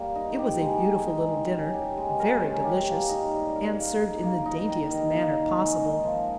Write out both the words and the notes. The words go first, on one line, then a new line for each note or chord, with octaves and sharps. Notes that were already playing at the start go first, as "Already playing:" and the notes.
It was a beautiful little dinner, very delicious, and served in the daintiest manner possible.
Already playing: G3 A#3
D#4
G4
G#3
G#3
D#4
G4
C#4
G4
G#3
A#4
C#4
G4
A#3
D#4
G3
A#4
A#3
D#4
A#3
D#4
D#3
D#3
A#3
D#4
G#3
D#4
F3